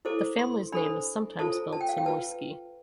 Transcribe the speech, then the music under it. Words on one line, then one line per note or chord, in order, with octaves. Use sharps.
The family's name is sometimes spelled Zamoyski.
E4 A4 C5 D6
C6
D4 A4 C5 B5
F4 A4 C5 A5
A5
G5
F5
G5
F4 B4 A5